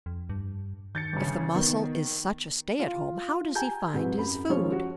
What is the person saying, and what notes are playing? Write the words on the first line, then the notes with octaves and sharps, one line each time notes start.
If the Mussel is such a stay-at-home, how does he find his food?
F2
G2
D#3 G6 A6 C#7
G1 C#3
D#3 B3
F4
G5 G#5 A#5 G6
G#2 C3 E4 F#4 B4
F#2 B5
F3 G#3 C#4 C5 C#5
F#4